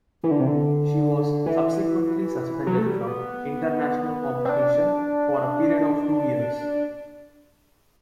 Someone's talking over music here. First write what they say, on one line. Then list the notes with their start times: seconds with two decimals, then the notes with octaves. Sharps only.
She was subsequently suspended from international competition for a period of two years.
0.23 E3
0.31 D3
0.40 C3
0.47 D3
1.46 E3
2.67 F#3
2.78 A3
2.87 G3
3.08 B3
4.45 C4
4.49 D4